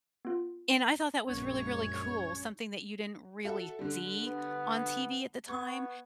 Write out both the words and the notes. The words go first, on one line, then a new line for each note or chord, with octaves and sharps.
and I thought that was really, really cool, something that you didn't really see on TV at the time,
B3 F4
A#1 F#2 G#3 C#4 C#5
F#4 A4 E5
D3 G3
B3
B3 C#6 G#6